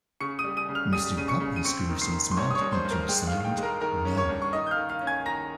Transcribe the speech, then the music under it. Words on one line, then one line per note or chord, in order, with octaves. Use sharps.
Mr. Guppy screws his mouth into a silent "No!"
C#3 C#6 C#7
D#6 D#7
G3
D#6 D#7
C#3
F6 F7
G3 D#6 D#7
C#3 D#7
C#6 C#7
C#3
D#7
C4 C#6 C#7
D#3
C6 C7
D#3
C6
G2 C#5 C#6
D#6
C#5 C#6
G2
C5 C6
G2
A#4 A#5
G#3 G5
F5
D#3
F5
G5
G#3
A#4 A#5
D#3 A#4 A#5
C#4
C#5 C#6
G2
C#6
D#3 D#5 D#6
G6
F5 F6
D#3
F5 F6
C#4
G#5 G#6
D#3 A#5 A#6